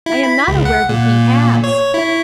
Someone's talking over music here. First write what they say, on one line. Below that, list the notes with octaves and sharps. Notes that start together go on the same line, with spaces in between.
"I am not aware that he has."
E4
B5
C#2
F#5
A#2
C#5
E4